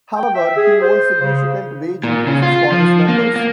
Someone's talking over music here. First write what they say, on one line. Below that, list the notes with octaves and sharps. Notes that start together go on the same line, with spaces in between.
However, he won significant wage increases for his members.
G5
E5
G#4
C5
C#3
A#2
C#3
F4
F3
A#3
A#3